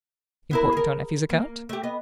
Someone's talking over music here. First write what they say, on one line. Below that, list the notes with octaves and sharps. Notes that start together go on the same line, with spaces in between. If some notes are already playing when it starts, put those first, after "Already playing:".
"Important on Effie's account?"
B3 E4 A#4
G#4 A#4
A#3
A3 G4
B3 D#5